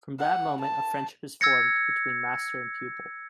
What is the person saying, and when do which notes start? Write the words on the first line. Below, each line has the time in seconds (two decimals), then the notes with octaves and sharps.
From that moment a friendship is formed between master and pupil.
0.19 F#5
0.61 A5
1.41 E6 G#6 A#6 C#7